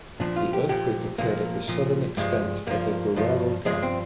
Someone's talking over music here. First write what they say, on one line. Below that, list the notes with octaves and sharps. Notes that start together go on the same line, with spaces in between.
The earthquake occurred at the southern extent of the Guerrero Gap.
A#2 F3 D4
F4
G4
A#2 F3 G4
A#2 F3 A#3
A#2 F3
G2 F3 G#3
G2 F3 A#3
G2 F3
G2 F3 G#3
C4